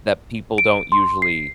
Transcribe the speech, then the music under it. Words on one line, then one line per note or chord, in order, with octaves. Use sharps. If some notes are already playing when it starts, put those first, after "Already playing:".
that people don't usually
D7
C6
C7